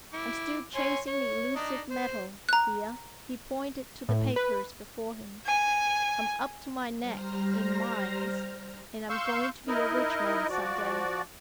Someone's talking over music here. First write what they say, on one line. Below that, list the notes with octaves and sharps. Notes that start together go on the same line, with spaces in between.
"I'm still chasing the elusive metal, Thea,"--he pointed to the papers before him,--"I'm up to my neck in mines, and I'm going to be a rich man some day."
E4 D6
C#5 G#5 C6
C#5
D4 D#4 D#5
C5
A#5 F#6
A2
B4
G#5
G3 C5 A#5 F6 A#6
F5 C6 C#6 E6 G6
D#4 E4 A#4 D#5
F3 F#4 D5